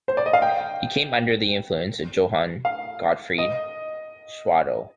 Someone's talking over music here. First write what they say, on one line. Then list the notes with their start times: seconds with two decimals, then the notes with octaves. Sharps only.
He came under the influence of Johann Gottfried Schadow.
0.08 C5
0.17 D5
0.26 D#5
0.33 F5
0.42 G5
2.65 F5
3.38 D#5